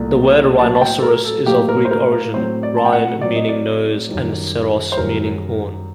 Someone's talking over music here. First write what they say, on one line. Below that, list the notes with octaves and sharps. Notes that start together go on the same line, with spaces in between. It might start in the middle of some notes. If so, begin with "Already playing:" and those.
The word "rhinoceros" is of Greek origin; "rhin" meaning "nose", and "ceros" meaning "horn".
Already playing: C2 A#2 A3
A2 F#3 A#3 A5
A5
G5
A4
A#4
A4
A2 F#3 A#3 G4
A#4
C5
A#4
A#4
A2 F#3 C4 C5
D5
A5
G5
F#5
A2 F#3 C4 D5
D#5
D5
F#2 D#3 G3
C5
F#2 D#3 G3 A#4